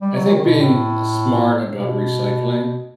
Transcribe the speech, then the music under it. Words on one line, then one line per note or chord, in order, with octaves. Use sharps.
I think being smart about recycling,
G3
F#3
D#3
B2
A2
B2